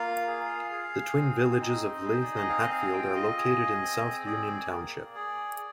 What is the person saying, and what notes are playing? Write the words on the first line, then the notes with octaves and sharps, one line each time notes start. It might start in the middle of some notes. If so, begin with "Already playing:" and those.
The twin villages of Leith and Hatfield are located in South Union Township.
Already playing: A#3 F4 F5
G#4
G#4
C4
D#4 D#5
G#4
C5
D5
D#5
C4 F5
D#5
F5
F4 G5
D#5
G#4
C4
G#4 D5
A#3
G#4